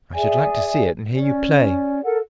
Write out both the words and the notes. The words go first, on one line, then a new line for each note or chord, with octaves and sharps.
"I should like to see it, and hear you play."
G#4 D5 E5 G#5
C#4 D5
A4 A#4 F#5